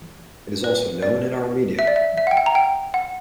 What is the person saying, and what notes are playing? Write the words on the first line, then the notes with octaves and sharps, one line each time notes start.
It is also known in Armenia.
B4
D5
E5
D5
E5
E5
F#5
G5
F#5
A#5
G5
F#5